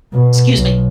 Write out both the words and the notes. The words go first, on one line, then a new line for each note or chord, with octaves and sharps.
Excuse me,
B2
B1